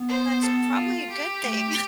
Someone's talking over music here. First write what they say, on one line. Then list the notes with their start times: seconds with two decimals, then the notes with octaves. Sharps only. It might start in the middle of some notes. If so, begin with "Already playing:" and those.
That's probably a good thing.
Already playing: B3
0.08 C5
0.42 A4
0.75 F4
1.10 G4
1.43 A3